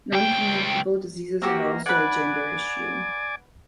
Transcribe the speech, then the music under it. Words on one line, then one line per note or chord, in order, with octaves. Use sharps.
Non-communicable diseases are also a gender issue.
C#2 G5
A#3 C4 F#4 G4
B4 D5 F#5 G#5